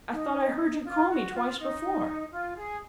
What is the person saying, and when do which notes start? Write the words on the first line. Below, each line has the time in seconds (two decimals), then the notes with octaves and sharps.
I thought I heard you call me twice before!'
0.12 D#4
0.85 F4
1.09 F#4
1.34 F4
1.58 D#4
2.31 F4
2.55 G#4